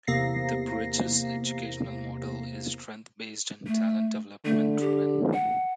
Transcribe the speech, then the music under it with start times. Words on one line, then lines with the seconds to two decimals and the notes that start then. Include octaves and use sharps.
The Bridges educational model is strength-based and talent-development driven.
0.07 E2 C3 A#3 A#6 C7
3.67 A3
4.45 D3 A3
4.81 G4
5.33 F#5